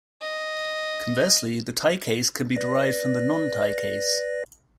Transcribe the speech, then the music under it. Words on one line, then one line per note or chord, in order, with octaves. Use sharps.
Conversely, the tie case can be derived from the non-tie case.
D#5
B4 D5 A#6